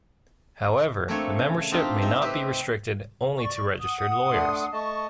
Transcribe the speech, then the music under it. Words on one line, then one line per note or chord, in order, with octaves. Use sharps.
However, the membership may not be restricted only to registered lawyers.
A3 A#3 C4 D4 C#5
C#3
C4 D4 D#4 F4 G4
C4 D#4 E5
C4 G4 B4
D5 C#6
F#5 D#6
A3 D4 C6
A3 D#5 A5 C#6